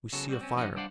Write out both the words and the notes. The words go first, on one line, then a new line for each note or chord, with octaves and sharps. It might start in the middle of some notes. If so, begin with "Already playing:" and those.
We see a fire.
C#3 F#3 B3 F#4 A4
G3 C4 F#4
C4 C#4
G#2 F3 D4 B4 D#5 F#5
G3 D4 C5 D5 F5 F#5